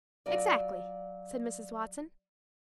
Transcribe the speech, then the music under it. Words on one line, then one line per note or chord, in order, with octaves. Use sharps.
"Exactly," said Mrs. Watson.
F#3 F4 D5